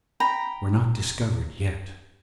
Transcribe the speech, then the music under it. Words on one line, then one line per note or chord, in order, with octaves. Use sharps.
We're not discovered yet.
G5 A#5 B5